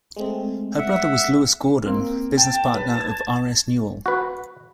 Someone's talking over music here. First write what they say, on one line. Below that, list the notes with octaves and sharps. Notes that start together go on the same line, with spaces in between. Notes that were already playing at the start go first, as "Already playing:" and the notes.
Her brother was Lewis Gordon business partner of R S Newall.
G#3 A3 C4
E5 F#5
A#3 C4
G5 A5
B4
G#6
F#4 B4